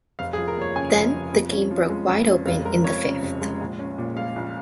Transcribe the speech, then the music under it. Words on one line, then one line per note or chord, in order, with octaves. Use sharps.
Then the game broke wide open in the fifth.
F1 F5
G#4
F3
A#4
D#2 C#5
C#3 G#5
F1
F3
F2
C#4
F3
G#3
F2
C#4
F1 F5
G#3 A#4
F2 C#5
C#3
F1
G#3
A#1
C#4
A#2
G#3 F5
A#1